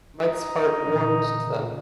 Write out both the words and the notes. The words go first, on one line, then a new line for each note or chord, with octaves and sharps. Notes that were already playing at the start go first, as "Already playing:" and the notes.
Mike's heart warmed to them.
D#4
A#2 D3 E3
C#3